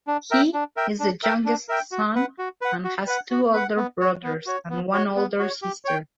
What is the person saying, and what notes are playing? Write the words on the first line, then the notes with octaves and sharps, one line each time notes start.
He is the youngest son and has two older brothers and one older sister.
D4
A#4 E5 G5
D4
A#4 E5 G5
D4
A#4 E5 G5
D4
A#4 E5 G5
F#4
B4 F#5
F#4
B4 F#5
F#4
B4 F#5
F#4
B4 F#5
B3
F#4 C#5
B3
F#4 C#5
B3
F#4 C#5
B3
F#4 C#5
G4
C#5 G5